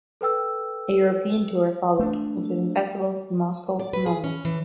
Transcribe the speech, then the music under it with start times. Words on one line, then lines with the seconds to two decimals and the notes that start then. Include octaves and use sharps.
A European tour followed, including festivals in Moscow and London.
0.21 A4 B4 G5 E6
1.99 A3 D4
3.79 D5
3.93 B4
4.06 G#4
4.24 C#4
4.45 E3